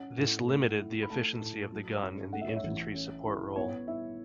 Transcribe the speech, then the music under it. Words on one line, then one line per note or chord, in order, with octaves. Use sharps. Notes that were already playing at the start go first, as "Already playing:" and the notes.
This limited the efficiency of the gun in the infantry support role.
Already playing: C#4 F#5
A2
A3
E4
B5
A3 A5
A2
F#3
C#4
A3 F#5
E5
C#5
E5
A1
C#4
E4
B3 C#5
E4 E5